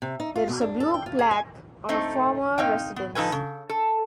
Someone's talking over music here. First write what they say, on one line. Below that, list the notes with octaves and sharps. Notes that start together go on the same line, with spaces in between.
There is a blue plaque on a former residence.
C3
D#4
F4
B2
D4
A4
G5
F4
G#4
G#5
A3 C4 D#4
C4 D#4 F5 G5
B3
F3 D#4 A4 B4 G#5
C#3
A4